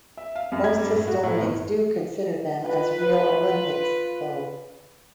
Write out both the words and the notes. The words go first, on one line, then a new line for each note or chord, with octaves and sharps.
Most historians do consider them as real Olympics, though.
E5
F5
F#2
G#6
G2
A2
F#4
A2
G1
F4 B4